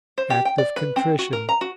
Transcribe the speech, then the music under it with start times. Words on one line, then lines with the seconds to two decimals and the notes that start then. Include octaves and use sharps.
Act of Contrition.
0.18 C5
0.30 G4
0.45 G5
0.58 D5
0.76 B4
0.96 C4
1.19 F#4
1.33 A#4
1.49 A#5
1.61 F#4